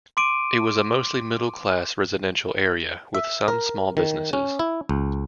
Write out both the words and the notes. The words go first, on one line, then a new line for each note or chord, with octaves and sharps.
It was a mostly middle-class residential area, with some small businesses.
C6 D6 D7 D#7
E5
A#4
D#3
C#4
E4
C#2